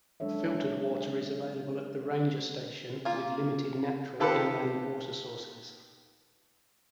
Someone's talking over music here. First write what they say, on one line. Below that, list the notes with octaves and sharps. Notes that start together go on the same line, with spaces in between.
Filtered water is available at the ranger station, with limited natural inland water sources.
F#3 G#3 D4 A4 C#5 E5
A#3 F4
D#3 F4 G4 A4 B4 C5